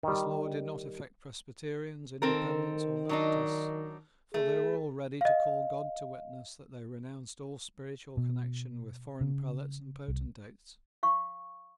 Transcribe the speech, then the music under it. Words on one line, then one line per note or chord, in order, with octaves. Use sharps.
This law did not affect Presbyterians, Independents, or Baptists; for they were all ready to call God to witness that they renounced all spiritual connection with foreign prelates and potentates.
D#3 G3
D#3 C4 A4 A#4
F#3 D4 D#4
A3 G#4
D#5 F5
B2
C#3
C2
F5 C#6